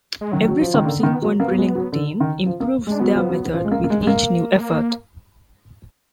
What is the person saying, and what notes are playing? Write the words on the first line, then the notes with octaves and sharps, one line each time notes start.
Every subsequent drilling team improves their method with each new effort.
G#3
D#3 F#3
F#3
F3
D#3 G#3
D3 A#3
B3
D#3
A#3
B3
F#3 G#3
A#3
A#3 B3
F#3
G#3
F#3
D3
D#3
F3
A#3
G#3 D4
F#3 B3
F3
F#3
F3
G#3
A#3
A#3
G#3
G#3
A#3
G#3
A#3